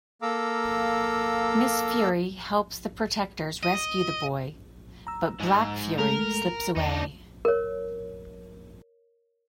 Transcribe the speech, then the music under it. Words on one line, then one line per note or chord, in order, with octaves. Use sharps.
Miss Fury helps the Protectors rescue the boy, but Black Fury slips away.
A#3 A4 F5 A#5 D6 E6
D#5
A#5 E6
G#2 G#3
G#3 A3 A4 A#4
E2 D4 D#4
A#4 C#5